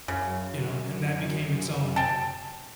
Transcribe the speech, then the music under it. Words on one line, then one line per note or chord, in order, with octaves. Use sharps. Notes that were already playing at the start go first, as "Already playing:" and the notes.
you know, and that became its own
F#2 C#3
G5 A5